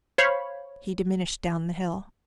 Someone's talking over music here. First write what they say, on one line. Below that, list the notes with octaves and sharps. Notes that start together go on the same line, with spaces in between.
He diminished down the hill.
C5 C#5 F5 B5